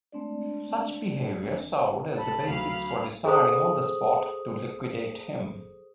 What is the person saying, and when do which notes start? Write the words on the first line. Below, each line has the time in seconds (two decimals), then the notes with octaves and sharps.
Such behavior served as the basis for deciding on the spot to liquidate him.
0.12 G#3 A3 C4 D4 D5
2.18 A4 B5
2.47 D2 F#3 F5
3.25 G#4 A4 C5 D#6